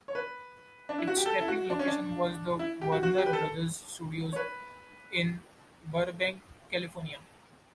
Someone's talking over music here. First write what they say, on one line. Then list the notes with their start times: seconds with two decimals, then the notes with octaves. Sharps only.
Its taping location was the Warner Brothers Studios in Burbank, California.
0.08 C#5
0.15 B4
0.89 D4
0.98 E4
1.07 F#4
1.17 G4
1.26 A4
1.41 E4
1.48 F#4
1.70 D4
1.79 C#4
1.87 D4
2.59 E4
2.81 G4
2.92 F#4
3.03 F#4
3.18 G4
3.26 B4
3.33 A4
4.33 C#5
4.36 B4